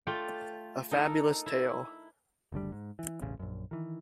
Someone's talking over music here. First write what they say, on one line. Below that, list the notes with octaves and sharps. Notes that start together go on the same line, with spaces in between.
A Fabulous tale.
A3 F4 D5 G5
D#4 A4 A#4
E4
F#1 D2 D3 G3
G#2
E3
E1 A1 C#3
A#1 F#2
D#3 E3